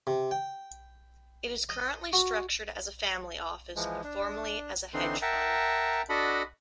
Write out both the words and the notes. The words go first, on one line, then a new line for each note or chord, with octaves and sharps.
It is currently structured as a family office but formerly as a hedge fund.
C3
G5
D#5
F#4
E3 F3 G#3
D4
D3 E3 C4 D4 D#4 C6
A#4 E5 F#5 G5 A5 A#5
D4 F#4 A4 D#5 F#5 B5